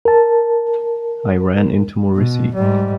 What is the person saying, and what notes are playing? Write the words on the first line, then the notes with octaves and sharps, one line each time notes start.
I ran into Morisi.
A#4 A5
B2
G#2 G3